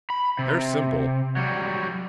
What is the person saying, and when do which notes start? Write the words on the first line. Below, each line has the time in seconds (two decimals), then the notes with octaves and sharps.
They're simple.
0.10 B5
0.39 C3
1.37 F#3 G3